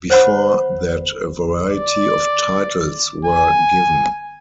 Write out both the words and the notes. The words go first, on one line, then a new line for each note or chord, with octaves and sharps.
Before that, a variety of titles were given.
C5 C#5 F#5 B5
D5
G#5